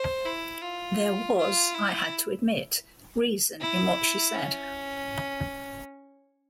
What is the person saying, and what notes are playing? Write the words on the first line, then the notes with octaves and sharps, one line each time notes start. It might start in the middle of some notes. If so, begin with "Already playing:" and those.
There was, I had to admit, reason in what she said.
Already playing: C5
E4
F4
F4
E4
E4
C#4